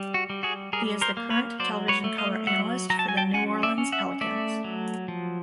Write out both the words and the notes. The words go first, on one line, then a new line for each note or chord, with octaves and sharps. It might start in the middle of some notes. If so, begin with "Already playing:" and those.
He is the current television color analyst for the New Orleans Pelicans.
Already playing: G3
F#4
G3
F#4 G#4
G3 G#4 A#4
A#4 C5
A#3
B4 C#5
F#3 C5 D5
B4 C#5
A3
D#5 F5
F#3 E5 F#5
F#3 A#5
A5
G#5
G5 A5
C#4 F#5 G#5
D5 E5
C#4
E5 F#5
A3 D5 E5
F#3
F3